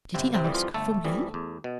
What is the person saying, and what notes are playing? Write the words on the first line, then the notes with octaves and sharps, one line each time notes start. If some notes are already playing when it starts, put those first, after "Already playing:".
'Did he ask for me?
G1 C3 C4
C3 C4
F2 E3 G3
F3 F4
G1 A3 A4
F2 E3 G3
E2
B2